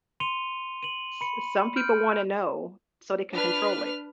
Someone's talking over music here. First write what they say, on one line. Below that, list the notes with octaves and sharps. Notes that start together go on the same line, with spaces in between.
S some people wanna know so they can control it.
C6 C#7 D#7 F7 G7
D#7 F#7
B5 C#7
F6 G6 D7
D4 B4 F6